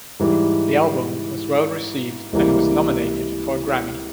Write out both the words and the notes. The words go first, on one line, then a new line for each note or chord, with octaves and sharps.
The album was well received and was nominated for a Grammy.
G#2 E3 G3
C#2 C3 E3 G3 A#3